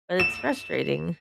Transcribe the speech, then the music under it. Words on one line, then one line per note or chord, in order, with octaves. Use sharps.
But it's frustrating.
E7